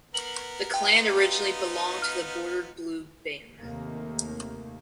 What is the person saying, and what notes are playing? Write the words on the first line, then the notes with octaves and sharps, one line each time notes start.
The clan originally belonged to the Bordered Blue Banner.
B3 A#4 F#7
B3 D#4 F4 G5
F6
D#2 C3 D#3 A3 A#3